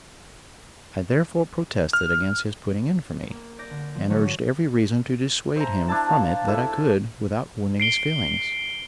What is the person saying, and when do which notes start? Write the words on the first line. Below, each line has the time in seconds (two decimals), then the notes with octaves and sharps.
I therefore protested against his putting in for me, and urged every reason to dissuade him from it that I could, without wounding his feelings.
1.93 F6
3.31 A#3
3.59 D5 G6 A#6
3.70 D3
3.95 F3
4.10 D3 E3 F#3 A3 C#5
4.22 A#6
5.56 C5 E5 G#5 A#5
5.88 D4 E4 A5
6.09 F5
6.48 E4 A4 E5 E6
7.80 C7 D7 G7